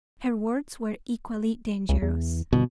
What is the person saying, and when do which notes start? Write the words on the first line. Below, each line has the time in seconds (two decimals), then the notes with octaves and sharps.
Her words were equally dangerous.
1.89 C#2
2.02 E2
2.53 G1 B2